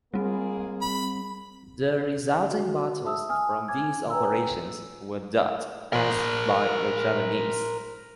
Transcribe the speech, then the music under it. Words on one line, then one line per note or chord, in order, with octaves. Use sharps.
The resulting battles from these operations were dubbed as by the Japanese.
G3 G#3 A#3 C4 G#4
B5
F#4
E5 A5 D#6 E6
G#5 D#6 F6
G#5 D6 G#6
B4 G5 G#5 A#5 E6
A#4 C5